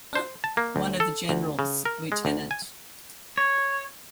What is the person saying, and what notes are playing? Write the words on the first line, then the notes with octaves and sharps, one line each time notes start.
One of the generals, Lieut.
C5
A5
A#3
D2
A4
D2
C#3
A#4
G#3
D2
G#5
C#5